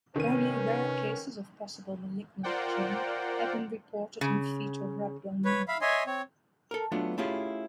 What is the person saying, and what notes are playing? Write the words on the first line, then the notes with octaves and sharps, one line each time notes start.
Only rare cases of possible malignant change have been reported in fetal rhabdomyoma.
C3 D#3 C#4 B4 D#7
F4 A#4 C5 D5 F#5 G5
C#3
B4 C#5
E5 F5 B5
C#5 D#5 E5 G#5 C6
C4 C#5
A4 A#4
F#3 A3 B3 D4 F4
A3 C#4 E4 F4 G4 G#4